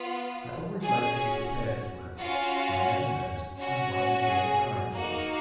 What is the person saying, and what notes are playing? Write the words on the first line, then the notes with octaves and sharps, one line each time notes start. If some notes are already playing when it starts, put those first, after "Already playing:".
I always like to be prepared for work; one never knows when one may feel inclined for it.
Already playing: B3 F4
C#4 F#4 G#4 G#5
C#4 F4 F#4 F5
C#4 F#4
G#4 G#5
A#3 D#4 F#4